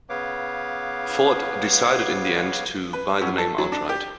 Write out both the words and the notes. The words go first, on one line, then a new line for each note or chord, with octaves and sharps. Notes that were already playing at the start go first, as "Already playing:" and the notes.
Ford decided in the end to buy the name outright.
C#3 B3 B4 C#5 F5 D6
B4
F#2
A4
F#3
D4
G4